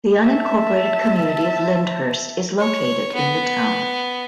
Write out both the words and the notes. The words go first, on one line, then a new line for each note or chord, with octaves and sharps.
The unincorporated community of Lyndhurst is located in the town.
E5 A5
C#5
B3